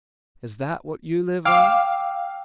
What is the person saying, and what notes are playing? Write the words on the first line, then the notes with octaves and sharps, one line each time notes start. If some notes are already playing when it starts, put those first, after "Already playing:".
"Is that what you live on?"
F5 G5 D6 E6